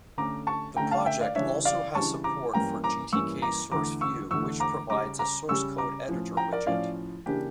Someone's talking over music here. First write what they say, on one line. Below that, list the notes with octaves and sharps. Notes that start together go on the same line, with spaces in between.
The project also has support for GtkSourceView, which provides a source code editor widget.
D3 A3 C#4 A#5 D6
A5 C#6
D3 A3 C#4 G5 A#5
F5 A5
E5 G5
D5 F5
C#3 E3 G3 D4 C#5 E5
D5 F5
C#3 E3 G3 D4 A5 C#6
A#5 D6
G2 E3 A#3 C#4 G5 A#5
A#5 D6
G2 E3 A#3 C#4 C#6 E6
A#5 D6
E2 D3 A3 A#5 D6
C#6 E6
E2 D3 A3 C#6 E6
A#5 D6
C#3 G3 C#4 A#5 D6
A#5 D6
C#3 G3 C#4 C#6 E6
A#5 D6
A2 F3 C#4
G5 A#5
A#4 D5
A2 F3 C#4 D5 F5
C#3 E3 A#3 D4 G4